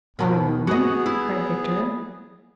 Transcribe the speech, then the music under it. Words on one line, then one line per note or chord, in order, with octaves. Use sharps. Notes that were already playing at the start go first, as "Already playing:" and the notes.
"All alone?" cried Victor.
D#2 B2 D#3
B3 F#4 G#4 D#5
E4